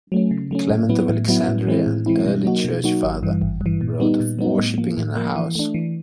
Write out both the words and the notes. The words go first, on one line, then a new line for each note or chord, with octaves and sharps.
Clement of Alexandria, an early church father, wrote of worshipping in a house.
F#3 A3 C#4
C#3
F#3 A3 C#4
A2
F#3 B3 E4
A2
F#3 B3 E4
A2
E3 G#3 C4 E4
A2
E3 G#3 C4 E4
B2
F#3 A#3 D#4 F#4
B2
F#3 A#3 D#4 F#4
G#1
G2 E3
G#1
G2 E3
A#2
G3 B3 D#4
A#2
G3 B3 D#4
A2
F3 A#3
A2
F3 A#3
E3
A3 D4
E3